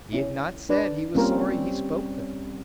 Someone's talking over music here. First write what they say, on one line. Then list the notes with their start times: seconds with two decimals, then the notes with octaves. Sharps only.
He had not said he was sorry he spoke them.
0.13 C#4 E4
0.69 D4 B4 D5
1.15 G3 A#3 C4 C#4 F4 A#4